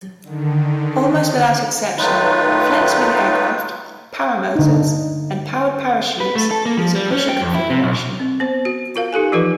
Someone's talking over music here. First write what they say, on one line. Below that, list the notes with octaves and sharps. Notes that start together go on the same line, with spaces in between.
Almost without exception flexwing aircraft, paramotors and powered parachutes use a pusher configuration.
D3 D#3
D#3 F#3 A3 D#4 F4 B4
D3 D#4
B4
A3
A4
A#3
F3
G3
C#4
G5
F2
E4
C3
B1
C4
B3 C5
F#4
F4 A#4 F5
D#4 G4 A4 G#5
E3 F3 D#4 F4 G4 B4